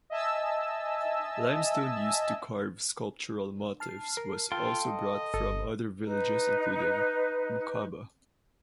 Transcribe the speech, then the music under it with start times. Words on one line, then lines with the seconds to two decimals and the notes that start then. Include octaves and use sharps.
Limestone used to carve sculptural motifs was also brought from other villages including Mqabba.
0.10 D#5 E5 G#5 A5 E6
3.80 A5 F6 C7
4.17 A#4
4.52 F4 A4 F5 G5 C6
4.86 D#5
5.34 G1 A4
6.03 D#4 B4